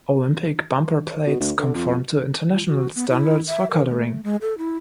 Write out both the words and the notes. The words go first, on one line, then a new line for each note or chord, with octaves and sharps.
Olympic bumper plates conform to international standards for colouring.
B2
D2
D3
F2
F4
F#4
B3
E4
E5
A#4
A3
G#3
A4
E4